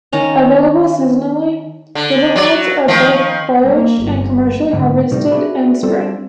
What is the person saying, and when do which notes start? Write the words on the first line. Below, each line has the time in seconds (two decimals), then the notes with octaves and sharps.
Available seasonally, fiddleheads are both foraged and commercially harvested in spring.
0.13 D#3 C#4 A#5
1.95 D3
2.36 F#3 D5
2.88 D#3 F3
3.63 A#3
4.01 G1
4.73 G#2 D3
5.11 A2 C3 G3 D#4
5.31 D4 F#4 G#4 B4 D5 E5
5.83 G3 C4 F4 A4